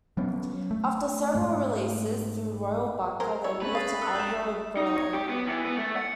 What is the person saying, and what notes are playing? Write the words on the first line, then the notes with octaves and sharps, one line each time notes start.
After several releases through Royal Bunker, they moved to Aggro Berlin.
F#3 B3 C#4
A3
G#2 A3
G#3 A#4 C5
E4 C#5
A3 C#4 B4
G#4 F5 D#6 A6 C7
A4 D#6 E6 F#6 A6
G#2 G3 G6 E7
D#4
C#5
G4
B3
E3
B3
A3
F#5